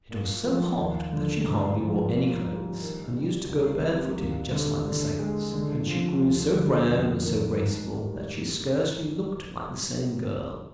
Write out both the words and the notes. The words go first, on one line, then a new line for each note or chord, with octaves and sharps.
It was so hot that she hardly wore any clothes, and used to go barefooted just like the sailors; and she grew so brown and so graceful that she scarcely looked like the same girl.
A#2
F3
D#2
D3
G#2
F3
A#2
G3
D#3
G3
C2
C3
D#2
D3
D3
G#3
D3
F3
D2
D3
F2
D#3
G#2
G3